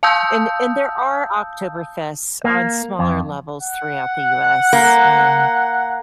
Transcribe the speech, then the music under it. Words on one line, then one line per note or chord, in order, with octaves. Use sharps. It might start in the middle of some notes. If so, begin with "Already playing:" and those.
And and there are Oktoberfest on smaller levels throughout the US, um,
F5 A5 D#6 E6 G6
A#3
F2
F#5
A#3